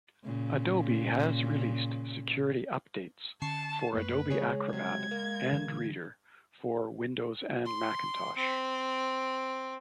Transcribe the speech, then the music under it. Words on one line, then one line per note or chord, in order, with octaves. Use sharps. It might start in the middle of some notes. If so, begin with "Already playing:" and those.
Adobe has released security updates for Adobe Acrobat and Reader for Windows and Macintosh.
A#2 C#3
D3 C#4 A5 C#6 C7
F#2 A3 A#3 B4
C#3 G#3 G#4 C#5
C3 F#3 G#6
A#3
D3 E3
C6
C4